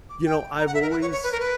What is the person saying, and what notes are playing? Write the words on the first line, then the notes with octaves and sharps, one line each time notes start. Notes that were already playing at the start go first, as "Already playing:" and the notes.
you know, I've always
D6
G5
A#5
F#5
E5
A#4
B4
C#5
C#5
B4
A#4
B4